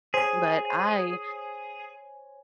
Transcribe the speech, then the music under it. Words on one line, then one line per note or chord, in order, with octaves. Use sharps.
But I
G#4 C5 C#5 G#5